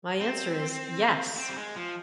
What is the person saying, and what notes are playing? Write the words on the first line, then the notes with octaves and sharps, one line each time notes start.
My answer is, yes.
C4
C4
G3
G#3
F3